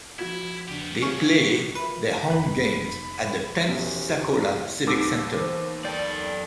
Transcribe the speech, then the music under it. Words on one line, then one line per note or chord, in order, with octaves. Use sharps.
They played their home games at the Pensacola Civic Center.
F3 E4 F#4 G#6
E2 C#3 B3 D4 G4
D#3 G3 A3 C#4 F5
F4 A#4 B4 E5
F1 D#4 B5 F#6
E1 B3 C#4 F#4 G4 E5
D#2 B3 D#4 D6 E6
E3 C5
F#2 G3 A4 D5 G6